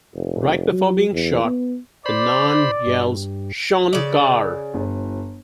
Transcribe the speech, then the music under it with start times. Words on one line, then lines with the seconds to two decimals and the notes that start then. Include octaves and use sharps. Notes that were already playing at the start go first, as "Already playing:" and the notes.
Right before being shot, the Narn yells Shon'Kar.
0.15 F1
0.72 F#3
1.13 E2
1.44 B3
2.06 C5 D5 B5
2.86 G2
3.93 C#3 D5
4.74 G1